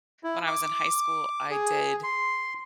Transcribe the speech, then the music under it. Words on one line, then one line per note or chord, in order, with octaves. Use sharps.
when I was in high school, I did
E4
D6
G#4
C6